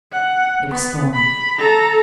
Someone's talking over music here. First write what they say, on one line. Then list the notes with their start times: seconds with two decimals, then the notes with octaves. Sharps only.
It was Thorn.
0.12 F#5
0.69 B3
1.14 B5
1.58 A4 A#5